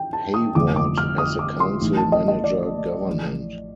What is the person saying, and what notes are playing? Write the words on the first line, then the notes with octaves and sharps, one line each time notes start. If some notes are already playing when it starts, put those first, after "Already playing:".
Hayward has a council-manager government.
Already playing: G5
A5
D#6
G1 F2 C3 F3 A3 D6
D6
F6
D#6
D6
C6
A1 A2 A3 D#4
A5
D#5
D#5
D5
A1 A2 F3